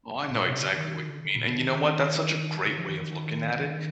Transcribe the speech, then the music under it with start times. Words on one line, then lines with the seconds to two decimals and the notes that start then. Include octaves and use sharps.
Oh, I know exactly what you mean, and you know what? That's such a great way of looking at it,
0.30 A#2
0.45 C3
0.62 D3
0.77 D#3
0.93 D#3
1.09 D3
1.24 D3
1.36 A#2
1.48 D3
1.60 D#3
2.67 D3
2.79 F3
2.90 D#3
3.01 D#3
3.50 D3
3.61 D#3